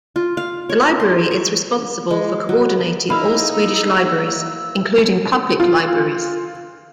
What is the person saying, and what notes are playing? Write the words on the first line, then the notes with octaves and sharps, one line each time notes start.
The library is responsible for coordinating all Swedish libraries, including public libraries.
F4
F5
C#5
C6
C#6
G#3
F#3
A#3 D#4 E4 F5 B5 E6
F4